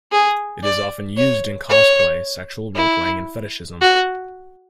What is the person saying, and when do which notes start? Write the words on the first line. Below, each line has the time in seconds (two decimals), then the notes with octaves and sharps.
It is often used in cosplay, sexual roleplaying, and fetishism.
0.12 G#4
0.64 D5
1.17 C#5
1.70 C#5
2.75 E4
3.81 F#4